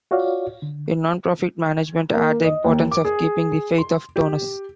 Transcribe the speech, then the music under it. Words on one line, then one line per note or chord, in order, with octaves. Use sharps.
In nonprofit management, add the importance of keeping the faith of donors.
F4 F#4 C#5 D5 F5
D3
A#3
D#5
D#2
D6
G#4
C6
G4